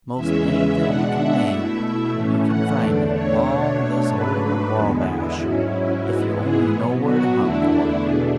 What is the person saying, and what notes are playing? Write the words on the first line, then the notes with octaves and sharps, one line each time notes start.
Most anything you can name, you can find it 'long this ole Wabash, if you only know where to hunt for it.
E2 C#3 E3 G#3 C#4 E5
B2 G#3 D4 F#5
E5
B2 A3 E4 E5
A2 E3 A3 C#4
F#5
E2 D3 A3 D4 D5
C#5
B2 A3 D4 C#5
G#2 F#3 A3 D4 B4
E2 D3 G#3 B3 F#4
E4
G#2 F#3 C#4 E4 F#4
E4
G#2 E3 G#3 B3 E4 F#4
G#4
B2 F#3 B3
F#4
E2 D3 A3 D4 E4
E2 B2 A3 D4 G#4